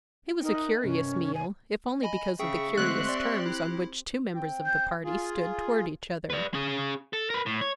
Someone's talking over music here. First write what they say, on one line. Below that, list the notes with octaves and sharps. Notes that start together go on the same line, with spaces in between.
It was a curious meal--if only because of the curious terms on which two members of the party stood toward each other.
D#4 A#4 G5
D#5 E5 F#6
C2 G2 C3 C#4
G#5
D#5 G#5 B5
C#3 G#4 E5 G5 C#6
D3 G#3 A3 C4 G4 F#6
D5 C6
E4
C4 G5
G6
F4 G#4
B4 D5
C#4 G#4
A4
A#4 B4
A2
C#5